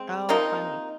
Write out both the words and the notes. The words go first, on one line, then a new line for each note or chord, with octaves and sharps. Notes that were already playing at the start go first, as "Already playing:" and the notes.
Oh, funny.
Already playing: G#3 C4
C3 F3 A#3 D#4